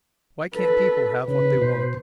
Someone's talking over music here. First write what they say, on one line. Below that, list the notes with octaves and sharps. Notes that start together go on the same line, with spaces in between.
Why can't people have what they want?
A4 B4
C#3 B4
B2 C5